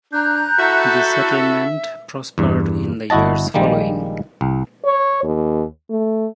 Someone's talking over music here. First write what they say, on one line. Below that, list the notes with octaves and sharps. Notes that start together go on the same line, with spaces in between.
The settlement prospered in the years following.
D4 A#5 F#6 G6
E4 F#4 A4 E5
E2 G2
G1 E4 F#4 D#5 A5
A#1 D#3 G3 G#3 A#3
C2
C#5
D#2
A3